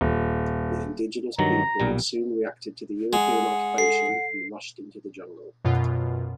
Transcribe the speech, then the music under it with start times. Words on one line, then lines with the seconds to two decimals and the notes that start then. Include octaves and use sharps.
The indigenous people soon reacted to the European occupation, and rushed into the jungle.
0.01 D#1
1.38 G2 D#3 F#3 A#5
1.80 B1 A#2 G3
3.13 G#3 F#5
3.78 A4 C7
5.65 F#2 B2 F4